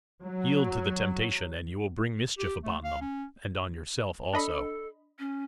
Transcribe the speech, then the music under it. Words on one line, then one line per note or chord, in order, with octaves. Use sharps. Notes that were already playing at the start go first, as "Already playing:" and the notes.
"Yield to the temptation and you will bring mischief upon them--and on yourself also."
F#3
G4
A3
F5
C#4
D4 A4 D#5 B5
C#4